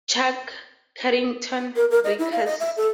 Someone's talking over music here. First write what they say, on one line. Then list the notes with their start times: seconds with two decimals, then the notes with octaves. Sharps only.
Chuck Carrington recurs.
1.76 A#4
1.91 A#4
2.04 D#5
2.19 E4
2.32 F5
2.46 D#5
2.60 E5
2.77 A4